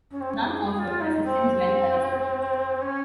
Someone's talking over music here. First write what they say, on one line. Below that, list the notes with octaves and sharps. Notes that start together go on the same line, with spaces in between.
None offered resistance when arrested.
C#4
C4
C#4
G#4
F4
D#4
C4
C#4